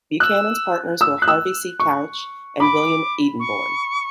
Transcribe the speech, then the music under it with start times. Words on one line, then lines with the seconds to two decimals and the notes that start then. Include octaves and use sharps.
Buchanan's partners were Harvey C. Couch and William Edenborn.
0.20 E6 F#6
1.01 E6
1.22 F#6
1.28 E6
1.80 C#6
2.60 B5 D6
3.39 C#6